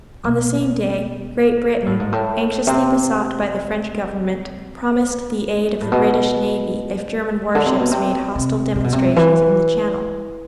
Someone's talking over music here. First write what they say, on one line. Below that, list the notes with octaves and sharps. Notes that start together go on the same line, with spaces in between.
On the same day, Great Britain, anxiously besought by the French government, promised the aid of the British navy if German warships made hostile demonstrations in the Channel.
B2
A2
G#2
A2
C3
A2
B2
D3
C3
B2
C3
C3
C3
B2
C3
E3